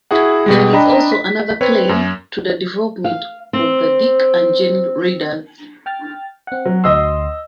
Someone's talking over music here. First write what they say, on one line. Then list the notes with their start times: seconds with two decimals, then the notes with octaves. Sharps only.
There is also another claim to the development of the Dick and Jane readers.
0.11 E4 F#4 G#4 F#5
0.46 B2 G3 G#3
0.73 D4 D#5 G5 A#5 B5
1.12 B6
1.61 C4 B4 C#5
1.89 F#2
3.04 F5
3.53 C4
5.86 G5 F6 A6
6.47 C4 F#5
6.65 F#3
6.84 D2 F#4 D#5 C6 E6